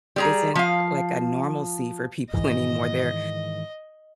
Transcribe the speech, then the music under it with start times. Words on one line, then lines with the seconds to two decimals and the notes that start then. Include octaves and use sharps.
isn't like a normalcy for people anymore. They're
0.16 G3 G#4 A#5
0.55 F3 F5
2.33 G#2 D#3 E3 D#5